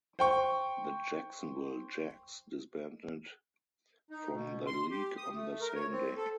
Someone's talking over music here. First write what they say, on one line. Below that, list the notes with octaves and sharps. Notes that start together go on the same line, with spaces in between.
The Jacksonville Jacks disbanded from the league on the same day.
C5 G5 C#6
D#4
B2
C6
G4
D#6
A3
A#4
C#5
C4
A4